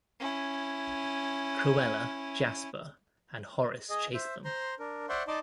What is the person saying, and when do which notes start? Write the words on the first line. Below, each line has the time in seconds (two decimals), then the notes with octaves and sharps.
Cruella, Jasper, and Horace chase them.
0.20 C#4 E4
3.90 G#4 D#5
4.14 C5 E5
4.45 C5 A#5 C6
4.79 D4 A#4
5.09 C5 D5 E5 F#5 C6 C#6
5.28 D#4 D5 D#5 A5 C6 D6